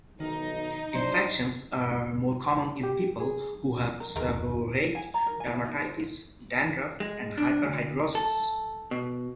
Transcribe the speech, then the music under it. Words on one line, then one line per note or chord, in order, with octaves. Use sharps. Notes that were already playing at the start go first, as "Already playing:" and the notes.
Infections are more common in people who have seborrheic dermatitis, dandruff, and hyperhidrosis.
B1 D#3 D#4
F#3 D4 C5
G4
G#4
A#4
F#1 D#2 D#3 G#3 A#4
G#5
A#5
A#4
G#5
E5
D#4
C5
G#3
D4
D2
A4
B2